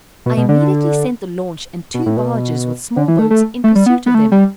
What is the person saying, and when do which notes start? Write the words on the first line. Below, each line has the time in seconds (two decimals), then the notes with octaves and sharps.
I immediately sent the launch and two barges with small boats in pursuit of them.
0.26 B2
0.37 B2
0.49 D3
1.94 B2
2.06 A2
2.17 B2
2.97 D3
3.08 E3
3.19 A3
3.30 A3
3.64 A3
3.75 G3
3.86 B3
4.06 B3
4.15 A3
4.32 G3